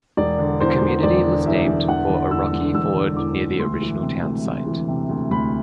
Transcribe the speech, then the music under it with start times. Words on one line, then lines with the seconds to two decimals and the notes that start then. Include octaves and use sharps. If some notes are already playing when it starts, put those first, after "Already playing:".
The community was named for a rocky ford near the original town site.
0.17 E1 D5
0.38 D3
0.60 E2 C5
0.82 E1
1.03 E1 D5
1.25 D3
1.46 E2 E5
1.67 E1
1.88 E1 F#5
2.09 D3
2.31 E2 E6
2.52 E1
2.74 E1 E6
2.95 D3
3.17 E2 D6
3.39 E1
3.60 D2 C6
3.82 E3
4.02 C3
4.23 D2
4.46 D2
4.67 E3
4.88 C3
5.09 D2
5.31 D2 B5